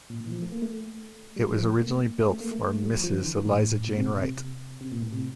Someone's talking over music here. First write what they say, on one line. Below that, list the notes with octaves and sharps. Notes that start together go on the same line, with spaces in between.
It was originally built for Mrs Eliza Jane Wright.
A#2
A#2
E3
F3
A3
A#3
A3
G3
F3
A3
A#3
A3
A#3
A3
A3
G3
F3
F3
D3
E3
E3
A2
A#2
C3
A#2
C3
C3
A#2
A2
C3